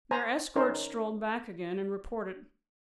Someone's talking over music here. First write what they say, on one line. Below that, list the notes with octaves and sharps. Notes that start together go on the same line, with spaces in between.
Their escort strolled back again, and reported.
C5 G#5 A#5
C#4 D#4 A#4 C5